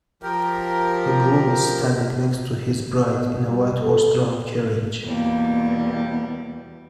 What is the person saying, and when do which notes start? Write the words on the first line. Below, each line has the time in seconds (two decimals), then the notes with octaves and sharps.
A groom is standing next to his bride in a white horse drawn carriage.
0.23 F3 G4 A#4
3.04 B2
3.43 G3
3.81 A4
5.03 E2 B2 G3 A#3